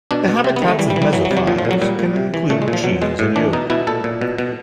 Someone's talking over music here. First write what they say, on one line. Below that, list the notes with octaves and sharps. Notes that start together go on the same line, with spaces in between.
The habitats of mesophiles can include cheese and yogurt.
B2 D4
B2
C3 C4
B3
D#3
A3
E3 G3
G3
E3
G3
E3 F#3
F#3
C3 G3
F#3
A#2 F3
F3
A#2
F#3
A#2 G3
A#2
C3
E3
A#2 A3
G#3
A#2
F3
B2 F#3
B2 G#3
A2
E3 D4
B2 D#4
B2 E4
A#2 A4
A#2
B2
B2